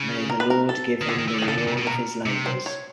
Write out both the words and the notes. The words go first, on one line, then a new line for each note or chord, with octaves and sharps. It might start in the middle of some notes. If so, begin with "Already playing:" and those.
May the Lord give him the reward of his labors.
Already playing: C#3
A#4
B4
A#4
A4
D#3
D3 G#4
D#3
E3
D3
D#3
G#4
C#3 A4
D3
C3
B2
A#4
C3
C5
C#5